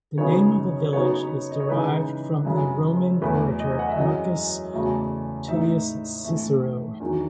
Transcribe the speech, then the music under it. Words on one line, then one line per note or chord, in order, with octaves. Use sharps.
The name of the village is derived from the Roman orator Marcus Tullius Cicero.
F#2 C#3 F#3 B3 D#4 C#5
C#3 F#3 B3 D#4 C#5
D#5
C#5
C#3 E3 G#3 D#4 B4
F#2 C#3 G#3
E2 B2 F#3 A3 B4
D#5
G#5
F#5
E5
F#2 E3 G#3 D#5
E2 C#3 F#3 A3
A2 G#3 D#4 E5
A2 E3 A3
E2 D#3 F#3